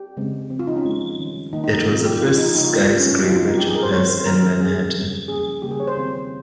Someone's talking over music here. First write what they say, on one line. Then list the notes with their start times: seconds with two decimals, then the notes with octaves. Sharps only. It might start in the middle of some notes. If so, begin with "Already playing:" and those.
It was the first skyscraper to pass in Manhattan.
Already playing: G4
0.17 C#3 G#3 C4
0.50 F3 C4
0.59 F4
0.67 D#4
0.76 C#4
0.84 F3 G#3 C4
1.19 D#3 G3 C#4
1.53 D#3 A#3 C#4 D#4
1.64 D#4
1.86 F3 C4 F4
2.04 G4
2.21 F3 G#3 C#4 F4
2.38 D#4
2.55 C#3 G3 A#3 D#4
2.64 F4
2.72 G4
2.81 F4
2.90 G3 A#3 C#4
3.00 C#4
3.12 C#4
3.23 F3 C4 D#4
3.30 F4
3.35 D#4
3.46 D#4
3.57 G3 A#3 C#4 G4
3.67 G#4
3.75 A#4
3.83 C5
3.92 D#3 G#3 C4 C#5
4.09 C5
4.25 D#3 A#3 C#4 A#4
4.60 G3 C#4 G#4
4.94 C#3 G3 C4
5.28 F3 A#3 C#4 G#4
5.62 C#3 G3 A#3 C#4 G4
5.71 G#4
5.80 C#5
5.87 C5
5.97 D#3 G#3 C4